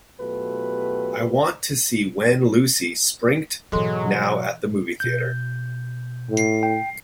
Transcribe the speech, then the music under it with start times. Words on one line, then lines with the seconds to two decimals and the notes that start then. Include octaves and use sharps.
I want to see Wenn Lucy springt now at a movie theatre.
0.20 B2 F#3 A3 F4 G4 B4
3.72 G#2 B2 E3 F#3 G#3 A4 C6
5.00 B2 G6
6.30 A2
6.63 G5